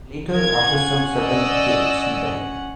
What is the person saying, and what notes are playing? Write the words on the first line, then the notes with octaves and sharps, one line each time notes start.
Later, after some several decades, he died.
F4 A#4 G#6
C#4 F#5
D5 D#5 E6